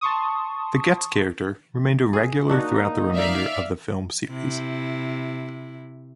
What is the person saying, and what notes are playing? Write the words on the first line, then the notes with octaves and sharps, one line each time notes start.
The Getz character remained a regular throughout the remainder of the film series.
A5 C6 C#6 D#6
G#4
A#3 D4 D#4 F#4
D5 E5 F5
C3 E4